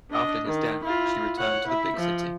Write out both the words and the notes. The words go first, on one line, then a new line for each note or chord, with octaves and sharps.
After his death, she returned to the big city.
D4 D#5
D#3
E4 F4
C#5 F#5
E4 E5
F3